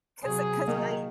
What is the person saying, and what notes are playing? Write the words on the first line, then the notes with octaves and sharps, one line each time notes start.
'Cause I 'cause I,
C3 F#3 G#4
D#3 F#3 A#3